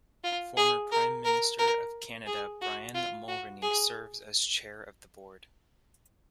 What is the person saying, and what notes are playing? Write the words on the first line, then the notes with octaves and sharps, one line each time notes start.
Former Prime Minister of Canada Brian Mulroney serves as chair of the board.
F4
G#4
A#4
A#4
A#4
G#4
F#4
F4
F#4
G#4